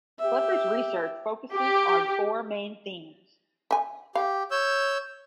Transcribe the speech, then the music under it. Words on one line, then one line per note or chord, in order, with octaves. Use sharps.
Clifford’s research focuses on four main themes.
G4 E5
G4
E5 G#5
G4 F5
C#5 E6 G6